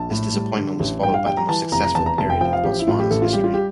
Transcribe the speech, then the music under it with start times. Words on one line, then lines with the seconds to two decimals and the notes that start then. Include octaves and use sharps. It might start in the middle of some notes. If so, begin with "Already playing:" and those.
This disappointment was followed by the most successful period in Botswana's history.
Already playing: A#1 A5
0.11 A2
0.34 G3
0.57 D3
0.80 A1
1.03 G2 G5
1.14 F5
1.26 G3 G5
1.37 A#5
1.49 E3 A5
1.72 F1 A#5
1.84 A#5
1.95 E2 A5
2.06 A#5
2.18 F1 A5
2.30 G5
2.41 F3 G5
2.53 F5
2.64 A1 G4
2.79 E4
2.88 A2 F4
2.99 G4
3.11 A1 A4
3.22 F4
3.33 G3 G4
3.44 F4
3.54 G4